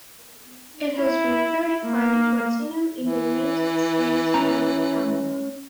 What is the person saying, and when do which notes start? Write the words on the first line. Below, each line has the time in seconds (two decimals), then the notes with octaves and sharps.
It has been certified platinum in the United States and Canada.
1.01 E4
1.86 A#3
3.01 E3
4.34 C#4 A#5